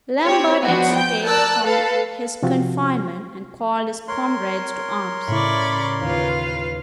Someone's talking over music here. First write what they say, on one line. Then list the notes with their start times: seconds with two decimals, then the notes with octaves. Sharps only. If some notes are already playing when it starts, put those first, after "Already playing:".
Lambert escaped from his confinement, and called his comrades to arms.
0.23 C4 G4 C#5
0.63 F3 B3 D4 F#4
0.95 G5 G6
1.25 A#4 D5 A5 E6 F#6
1.62 A4 B4 F5 A5
2.42 C3 F3 C4 F4 F#4
4.08 A#4 C#5 C6 F#6
5.27 A2 C#3 E4 D5 B5 C#6
6.02 D#2 F4 B4 F5